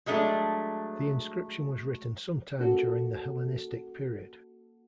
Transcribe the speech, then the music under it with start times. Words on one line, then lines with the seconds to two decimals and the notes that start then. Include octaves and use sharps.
The inscription was written sometime during the Hellenistic period.
0.06 F#3 G#3 A3 D4
2.58 A#3 C#4 F#4 A4